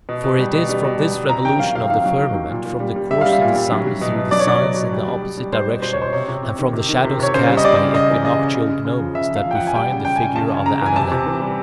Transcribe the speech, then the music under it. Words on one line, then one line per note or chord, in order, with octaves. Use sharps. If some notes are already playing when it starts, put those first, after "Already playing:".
For it is from this revolution of the firmament, from the course of the sun through the signs in the opposite direction, and from the shadows cast by equinoctial gnomons, that we find the figure of the analemma.
B2
B2
G3
B2
G3
B2
G3
G3
C3 A#5
D#3 G5
F#3 F5
C3 F5
D#3 F5
F#3
D#3
F#3
A#2
A#2
G3
G3
G3 E5
G3 F5
E5
A#2
G3
F#3
F#3
B2
B2
F#3 D5
C#5
F#3 D5
B2
B2
G3
G3
G3
G3
G3 C5
B2
B2 C5
C#5
B2 C5
C3 C#5
C3
C3
D#3
C3
D#3
C3
C3 C#5
C#3 C5
G3
D#5
G3 D5
C#3
C#3 D#5
E3
C#3 D#5
C#3
C#3
C#3
C#3
F3
C#3 E5
F3
F5
F3
G5
F#5
F3
G#5
G3 G5
C#3
C#3 G5
G#5
C#3
C#3 A5
C#3
C#3 A#5
E3 G#5
C3 A5
C3
E3
G3